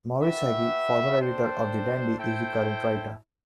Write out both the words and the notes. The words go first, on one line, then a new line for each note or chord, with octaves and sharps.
Morris Heggie, former editor of "The Dandy" is the current writer.
F#4 B4 E5 G5
D4 A4 C5 G5
E4 A4 C5 G5